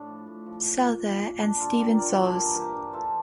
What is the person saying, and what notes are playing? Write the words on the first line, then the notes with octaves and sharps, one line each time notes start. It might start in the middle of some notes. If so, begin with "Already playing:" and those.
Souther and Steven Soles.
Already playing: A2 D4
F3
A2
F3
A#2
A#2
A#2
A#2
A#2 D4
F3 F4 A4
A#2 G4 A#4
F3 A#4 D5
E3 A4 C5
G2 G4 A#4
E3 G4 A#4
G2
E3 F4 A4